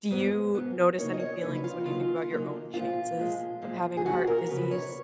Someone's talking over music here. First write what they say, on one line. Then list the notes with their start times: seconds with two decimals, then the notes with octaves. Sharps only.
Do you notice any feelings when you think about your own chances of having heart disease?
0.11 G#2 F3 B3
0.55 G#2 F3 B3
0.98 C#3 F#3 A#3 D#4 C#5
1.14 D#5
1.20 C#5
1.41 C#3 F#3 A#3 D#4 B4
1.64 F4
1.80 F#4
1.85 C#3 F#3 A#3 D#4 F4
2.30 C#3 F#3 A#3 D#4
2.74 A#2 F3 G#3 F4
3.17 A#2 F3 G#3
3.62 A#2 F3 G#3
3.97 G#4
4.05 A#2 F3 G#3 F#4
4.27 A#4
4.49 F2 C#3 F#3 C#4 B4
4.71 C#5